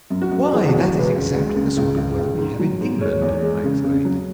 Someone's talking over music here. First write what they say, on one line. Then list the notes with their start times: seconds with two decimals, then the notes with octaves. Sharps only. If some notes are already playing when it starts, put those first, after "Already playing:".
"Why, that is exactly the sort of weather we have in England!" I exclaimed.
0.10 F#2
0.22 F#4
0.31 F#2
0.53 E3 G#4
0.68 E2 F#4
0.84 F#4
0.94 G#3 B4
1.15 C#2
1.36 G#3
1.56 C#3
1.77 C#2
1.97 C#2
2.18 C#2
2.38 G#2
2.59 F#3
2.81 G#2
3.01 G#3 C#5
3.21 E2
3.42 G#3
3.64 C#3
3.84 C#3
4.05 F#3